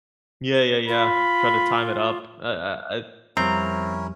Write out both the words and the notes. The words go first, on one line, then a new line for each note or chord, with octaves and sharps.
Yeah, yeah, yeah. Try to time it up. Ah ah ah,
F4 B5
F2 G3 C4 C#4 E4 A#4 A#5